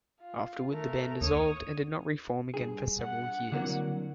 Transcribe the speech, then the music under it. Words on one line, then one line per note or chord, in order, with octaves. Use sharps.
Afterward, the band dissolved and did not reform again for several years.
F4
A3 A#4
D#2 C#5 D#6
G2 G#4
F#5
C2 D3 F#3 A#3